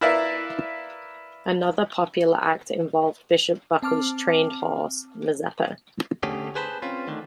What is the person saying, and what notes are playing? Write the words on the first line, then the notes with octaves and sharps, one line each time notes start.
Another popular act involved Bishop Buckley's trained horse, Mazeppa.
E4 A#4 B4 D5 E5 F5
C4 A5 D6 F6
D3 A3 C#4 G4 G#4
G#4 B4 C5 A5 B5
C4 C#4 F4 B4
D3 D#3 A3